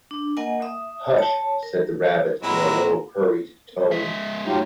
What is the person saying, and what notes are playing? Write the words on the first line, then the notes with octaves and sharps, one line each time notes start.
Hush!’ said the Rabbit in a low, hurried tone.
D4
A#3 A#4 D#5 F#5 G#5
E5 D#6
C#5 A5
A#4
A#2 F#3 G#3 C4 E4 A#5
G#3 E5
F#3 A3 D#4 F4 G4